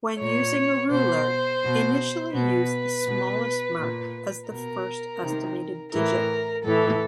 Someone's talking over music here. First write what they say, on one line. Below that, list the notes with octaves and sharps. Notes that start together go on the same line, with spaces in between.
When using a ruler, initially use the smallest mark as the first estimated digit.
A#2 C#5
B2 C5
B2
B2 B4
B2
A#2
B2 A#4
C3 D#3
A2 E3 A#4
A2 E3 A4